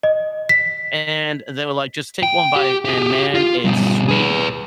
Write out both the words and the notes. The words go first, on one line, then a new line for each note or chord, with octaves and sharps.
And they were like, "Just take one bite." And, man, it's sweet
D#5
B6
G5
G4
G4 G#4
F4
B2 G3
G#4 B4